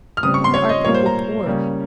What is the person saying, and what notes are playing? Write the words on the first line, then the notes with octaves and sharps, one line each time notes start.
Why are people poor?
F6
C#3 G3 C4 D#6
C#6
C6
C#5
D#5
A#2 G3 A#3 C#5
C5
A#5
C#3 G3 A#3 C#4